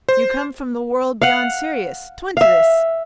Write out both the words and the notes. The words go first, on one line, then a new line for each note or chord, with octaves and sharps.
You come from the world beyond Sirius, twin to this.
C5
F5 F#5
E5 F5